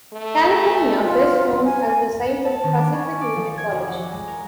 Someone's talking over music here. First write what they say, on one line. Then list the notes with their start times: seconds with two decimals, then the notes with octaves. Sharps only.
California, best known as the site of Pacific Union College.
0.13 A3
1.04 F#3 F4
1.65 G#5
2.45 A5
2.64 D#3
2.78 D4
2.93 C#4
3.21 D5
3.36 F3
3.58 G#6
3.71 F1
3.88 F#5
4.12 G#3
4.28 A#4